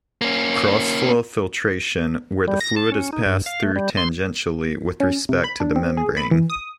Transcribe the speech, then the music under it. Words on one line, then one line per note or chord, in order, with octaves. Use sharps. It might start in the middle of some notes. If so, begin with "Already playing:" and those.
Cross-flow filtration: where the fluid is passed through tangentially with respect to the membrane.
A#3 C#4
G3
A#6
A5
C#4
D#4
G2
F5
A3
G3
C6
C#4
C3
B5
D4
C4
G#4
B5
E3
D#6